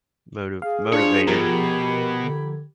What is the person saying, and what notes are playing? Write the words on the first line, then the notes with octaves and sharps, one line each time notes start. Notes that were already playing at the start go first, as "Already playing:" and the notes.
moti motivated.
G#4 F5
D4 F4 C5 C#5
B2 F3 G4 A#4 B5 G#6
D3